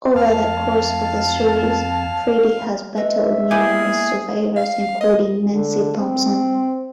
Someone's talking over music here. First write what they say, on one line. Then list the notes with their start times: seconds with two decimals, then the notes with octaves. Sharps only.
Over the course of the series, Freddy has battled numerous survivors including Nancy Thompson.
0.15 F2 F5 A5
2.97 B4 D#5 E5
3.51 A#3 B3 E4 G#4 G#5 D6 G6
4.56 F5
5.01 D#5
5.53 D3
5.99 C4